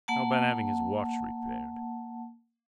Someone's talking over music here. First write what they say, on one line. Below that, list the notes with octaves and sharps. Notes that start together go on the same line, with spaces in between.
"How about having his watch repaired?"
A#3 F#5 A5